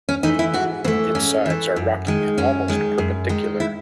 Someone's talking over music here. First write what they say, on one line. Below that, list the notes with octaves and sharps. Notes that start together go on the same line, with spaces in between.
Its sides are rocky and almost perpendicular.
C#4
E3 A3 D#4
E4
G#2 F#4
E3 A3 C4
G#2 C#4
E3 A3
F#2
D#3 G#3
F#2 C#4
D#3 G#3
F#2
D#3 G#3
E4